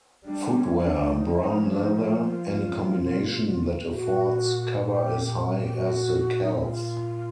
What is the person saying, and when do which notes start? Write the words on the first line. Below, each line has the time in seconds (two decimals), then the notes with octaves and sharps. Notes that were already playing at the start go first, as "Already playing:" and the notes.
Footwear - Brown leather; any combination that affords cover as high as the calves.
0.25 G3 D4
0.56 C#4
0.70 G3
0.78 C#4
0.87 D#4
0.90 D4
1.16 F3 D#4
1.30 E4
1.43 D#4
1.58 C#4
1.71 D4
1.83 D#4
1.95 E4
2.08 F4
2.99 B2
3.91 A#2 F#4 G4
4.83 G4
5.64 G4
5.74 F#4
6.43 D#4
6.54 E4
6.66 F4